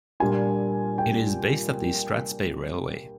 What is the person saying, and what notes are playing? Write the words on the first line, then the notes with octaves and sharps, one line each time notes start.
It is based at the Strathspey Railway.
A#2 G3 A#3 D4 F4 G#5
G5